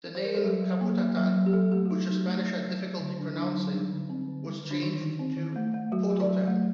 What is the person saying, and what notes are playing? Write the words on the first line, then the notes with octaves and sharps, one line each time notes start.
The name "Kaputatan", which the Spanish have difficulty pronouncing, was changed to "Pototan".
C5
A#4
A4
F#3 G4
F#3
A#3
A#3
F#3
F#3
G4
F#3 A4
A3 G4
F#4
F#3 D#4
F#3
A3
F#3
F#3
F#3
D3
D3 D4
F#3 D4
F#3 D#4
G3 D4
D3
C4
D3
G3
D3
D4
D#3 D#4
D#3
C4
D#3
A3
A3
F#3 F#4
F#3
D5
F#3
A3